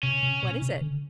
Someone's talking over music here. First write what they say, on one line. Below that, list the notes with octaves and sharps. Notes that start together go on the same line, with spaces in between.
"What is it?"
C3 C#4
C3
B2
C3
D3